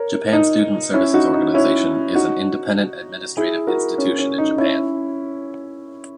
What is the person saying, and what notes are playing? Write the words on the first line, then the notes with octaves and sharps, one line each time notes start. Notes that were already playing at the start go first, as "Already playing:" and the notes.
Japan Student Services Organization is an independent administrative institution in Japan.
Already playing: A#4 C#5
D#4
C#4 E4
D#4 F#4
D#4
C#4 E4
D#4 F#4
E4 G#4
F#4 A#4
C#4
C#4
D#4
C#4 E4